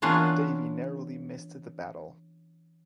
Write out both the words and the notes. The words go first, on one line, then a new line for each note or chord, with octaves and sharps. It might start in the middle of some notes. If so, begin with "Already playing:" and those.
Davie narrowly missed the battle.
E3 A#3 B3 C#4 D4 F4